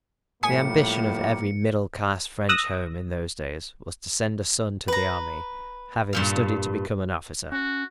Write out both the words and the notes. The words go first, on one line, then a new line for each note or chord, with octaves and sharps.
The ambition of every middle-class French home, in those days, was to send a son to the army--have him study to become an officer.
A2 F3 G3 A#3 G#5 D#6 B6 C#7
D#6 E6 F#6 A#6
B4 A#5
G2 A#2 F5
C#4 F#4